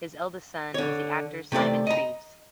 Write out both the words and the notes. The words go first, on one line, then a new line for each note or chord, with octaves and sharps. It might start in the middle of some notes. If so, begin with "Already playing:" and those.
His eldest son is the actor Simon Treves.
D3 C#5
C3 A3 C4 D5
D#5 A#5